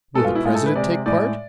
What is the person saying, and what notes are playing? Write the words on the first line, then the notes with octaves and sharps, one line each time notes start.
Will the President take part?
B2 G#3 A4
F4
E4
A2 G#3 F4
A4
B4
C3 G#3 D5
A2 G#3 D5